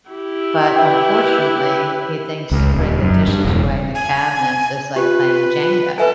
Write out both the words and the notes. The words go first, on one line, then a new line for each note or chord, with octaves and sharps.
but unfortunately, he thinks putting the dishes away in the cabinets is like playing Jenga,
E4 G4
B4 E5 G5
C#2
D#1
F#2
G2
E1
G#5
F4 G4 B4
A4 B4 E5 G#5